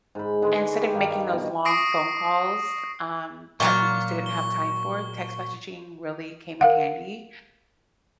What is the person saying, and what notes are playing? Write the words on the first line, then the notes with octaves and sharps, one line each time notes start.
and instead of making those long phone calls, um, that we just didn't have time for, text messaging really came in handy.
G#2 B5
D3 G#3 B4
C#6
G4
G2 D#3 F5
B2
C#6 D#6 A#6 C7 D7
A#2 F#3 F4 C#6
G7
A#4 F5 F#5